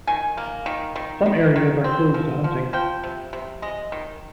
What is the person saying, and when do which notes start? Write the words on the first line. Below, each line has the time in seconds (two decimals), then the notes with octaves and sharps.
Some areas are closed to hunting.
0.07 D#3 G#5
0.37 A#3
0.66 D#3
0.96 D#3
1.26 D#3
1.56 D#3
1.84 C4
2.14 F3
2.44 F3
2.73 F3 G5
3.03 C3
3.33 C3
3.62 G#3 D#5
3.92 D#3